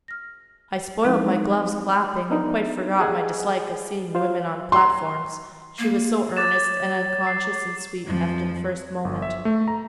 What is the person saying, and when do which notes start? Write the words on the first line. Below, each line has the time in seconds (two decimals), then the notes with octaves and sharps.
I spoilt my gloves clapping, and quite forgot my dislike of seeing women on platforms, she was so earnest and unconscious and sweet after the first moment.'
0.08 F6 A#6
1.05 F3 G#3 C4 D#4 E4
2.30 B3 D4 D#4 A#4
2.99 G4 G#4 D#5 F#5 G#5
4.15 F4 C5 F5
4.72 C6
5.79 A#3
6.37 C#5 D6 A6 E7
7.27 C7
8.05 F2 F3
9.05 G1
9.22 E5
9.45 A3
9.68 A#5